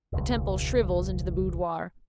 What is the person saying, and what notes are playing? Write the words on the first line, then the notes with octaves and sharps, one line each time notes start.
The temple shrivels into the boudoir.
E1 C#2